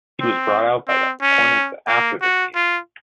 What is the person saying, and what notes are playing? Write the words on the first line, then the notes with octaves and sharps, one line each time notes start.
He was bought out by the Hornets after the season.
C4
C4
C#4
A#3
F#4
F4